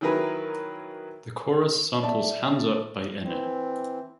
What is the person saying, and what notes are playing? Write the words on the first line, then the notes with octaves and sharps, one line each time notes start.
The chorus samples "Hands Up" by Inna.
D#3 E3 F#3 G#4 A#4 B4
D5 E5 A5
E3 C4